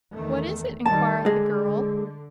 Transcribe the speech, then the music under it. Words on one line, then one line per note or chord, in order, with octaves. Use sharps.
"What is it?" enquired the girl.
E2 D#3 A3
D#3 G3 A5
D3 G#3